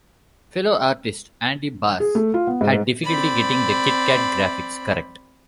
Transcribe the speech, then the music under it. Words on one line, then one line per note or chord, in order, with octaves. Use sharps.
Fellow artist Andy Bass had difficulty getting the Kit-Kat graphics correct.
G#4
A3
F4
B3
G#2
C4 D5 B5